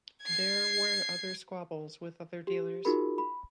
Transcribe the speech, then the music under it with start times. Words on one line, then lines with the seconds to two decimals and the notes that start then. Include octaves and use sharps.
There were other squabbles with other dealers.
0.23 G#6 C7
2.47 G4
2.85 D#4 F4 F#4 G#4 A#4 B5
3.18 B5